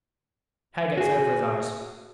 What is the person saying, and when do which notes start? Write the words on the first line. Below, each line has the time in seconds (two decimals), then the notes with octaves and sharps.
Hair gets over his eyes.
0.97 F#4 G#4